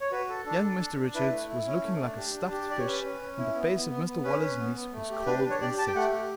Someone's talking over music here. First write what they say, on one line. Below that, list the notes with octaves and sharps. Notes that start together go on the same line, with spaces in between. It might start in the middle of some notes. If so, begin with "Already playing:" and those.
Young Mr Richards was looking like a stuffed fish, and the face of Mr Waller's niece was cold and set.
C#5
F#4 B4
A4
D4 A4
A4
D4
D4
E4 B4
A3
E4
C#4
A3
D4
G4
D4
G4
G4 D5
C#5
C#4 B4
C#4
C#4
E4
B3
B3
B3
B3
C#4 B4
C#4
B3
B3
A3
G4
D4 B4
B4
D4
C#5
G4 D5
G4 A5
G5
A3 F#5
G4